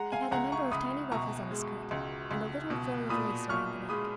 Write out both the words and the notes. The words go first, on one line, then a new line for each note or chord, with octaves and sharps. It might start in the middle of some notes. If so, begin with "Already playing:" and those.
It had a number of tiny ruffles on the skirt, and a little frill of lace around the neck.
Already playing: G#3 F#5 A#5
F5 G#5
C#2 F#5 A#5
A#5 C#6
C#2 B5 D#6
B2 A#5 C#6
G#3
C#2
C#2
B2
A#2 B5 D#6
A#2 C#6 F6
G#3 B5 D#6